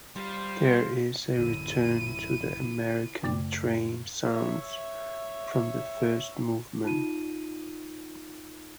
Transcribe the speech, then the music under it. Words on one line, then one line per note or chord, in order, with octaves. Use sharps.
There is a return to the American train sounds from the first movement.
G3 F4 C5
A1 F#2 D3 E4 E6 D#7
F#2 C#3 A3 D5 D6
C#5 E5
D#4 F4 D#7